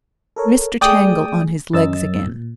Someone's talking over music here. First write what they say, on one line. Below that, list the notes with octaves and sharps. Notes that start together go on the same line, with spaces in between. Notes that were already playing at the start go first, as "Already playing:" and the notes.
Mr. Tangle on his legs again.
A4 A#4 C#5
A3 G#4 D5 G5 D#6
F#2 D#5 E6 A6
A#2